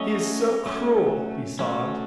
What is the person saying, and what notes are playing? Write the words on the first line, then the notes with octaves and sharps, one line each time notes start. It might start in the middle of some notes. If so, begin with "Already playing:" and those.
"He is so cruel!" he sobbed.
Already playing: F#3 A3 C#4 C#5 D#5
F#3 A3 C#4
F#3 A3 C#4